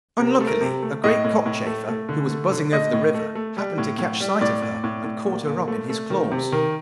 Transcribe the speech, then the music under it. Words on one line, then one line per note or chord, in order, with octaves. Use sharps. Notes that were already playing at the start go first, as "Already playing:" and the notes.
Unluckily, a great cockchafer, who was buzzing over the river, happened to catch sight of her, and caught her up in his claws.
C3 A#4
A3
A#4
C3
A3
A2 D#5
A2
A2
A3
A3
D3
A3
D3
A3 D#5
A2
A3
A3
G3
A2
A2
G3
A2 D5
A2
A2
A2
A#2
A#2
A3
A3
D#3
C3
D#3